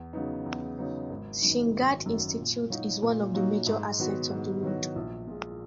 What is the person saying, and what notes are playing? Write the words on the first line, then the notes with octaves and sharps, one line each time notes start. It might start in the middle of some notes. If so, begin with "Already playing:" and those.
Sinhgad Institute is one of the major assets of the road.
Already playing: E2
C#3 F#3 B3 D#4
E2
C#3 F#3 B3 D#4
G#1
F#2 D#3
G#1
F#2 D#3
A#2
F#3 A#3 D#4 F#4
A#2
F#3 A#3 D#4 F#4
G#2
D#3 F#3 B3 F#4
G#2
D#3 F#3 B3 F#4
A#1
A#2 G#3